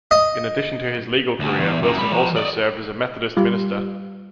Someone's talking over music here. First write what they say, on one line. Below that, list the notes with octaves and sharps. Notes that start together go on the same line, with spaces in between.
In addition to his legal career, Wilson also served as a Methodist minister.
D#5
D2
E2
F#2 A#3
G#3 B5
F3 A#5
D5 D#5
G3 F4